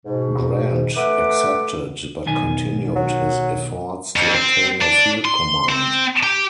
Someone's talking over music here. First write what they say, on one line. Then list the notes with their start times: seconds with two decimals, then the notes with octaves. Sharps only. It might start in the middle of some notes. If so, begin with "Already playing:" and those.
Grant accepted, but continued his efforts to obtain a field command.
0.06 G#2 B2
0.96 A3 B4 E5 F#5 D6
2.26 B1 D#3 G#5
2.96 F#3
4.16 F2
4.35 C4
4.82 D4
5.25 C6
5.69 C4
6.23 G4